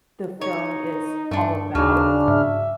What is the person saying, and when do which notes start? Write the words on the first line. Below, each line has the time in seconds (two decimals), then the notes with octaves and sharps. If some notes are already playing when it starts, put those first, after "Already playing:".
the film is all about.
0.41 D#4 C#5
1.31 G2 A3 D4
1.75 D#2 C#3 F#3 D4 D#4 F6
2.28 G#2 E5